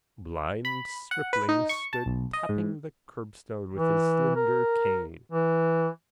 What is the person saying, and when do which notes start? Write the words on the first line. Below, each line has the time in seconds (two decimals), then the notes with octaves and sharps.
A blind stripling stood tapping the curbstone with his slender cane.
0.65 B5
1.11 F#5
1.33 B4
1.49 D#4
1.69 C#6
1.93 A5
2.06 B1
2.33 D#5
2.49 G#2
3.75 E3
4.35 A#4
5.32 E3